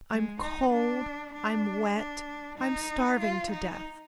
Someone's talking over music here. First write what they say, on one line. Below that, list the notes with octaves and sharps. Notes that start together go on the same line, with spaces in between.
I'm cold, I'm wet, I'm starving to death.
G#3
D#4
D4
D4
D4
D#4
F4
D#4